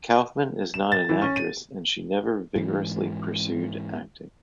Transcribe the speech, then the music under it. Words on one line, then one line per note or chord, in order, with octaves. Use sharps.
Kaufman is not an actress and she never vigorously pursued acting.
E7
A6
E3
C#4
D#7
G#2 E3